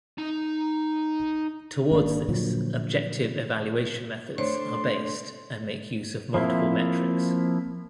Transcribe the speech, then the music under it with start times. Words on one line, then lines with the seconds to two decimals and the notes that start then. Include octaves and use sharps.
Towards this, objective evaluation methods are based and make use of multiple metrics.
0.18 D#4 A#5
1.91 G#1 A#3 D4
2.28 A#2 D3 F3 F#3
4.38 A3 D4 C5 C#5 C6
6.34 F3 A#3 C4 E4